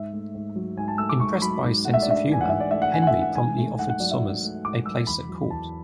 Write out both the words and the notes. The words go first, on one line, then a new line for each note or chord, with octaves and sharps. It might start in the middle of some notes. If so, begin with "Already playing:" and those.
Impressed by his sense of humour, Henry promptly offered Sommers a place at court.
Already playing: G#2 E5
A3
G#2
F#3
G#2 G#5
A5
A3 E6
D6
G#2 C#6
F#3 B5
G#2
A3 F#5
E5
D5
D4 E5
E3 G#5
F#5
G#2 E5
D5
A3 E5
F#5
D4 G#5
F#5
E5
E3
F#5
G#2 G#5
A3
G#2 F#5
F#5
F#3 D5
E5
G#2
A3
G#2 D6
F#3 E6
E2 B5
F#3
E2 A5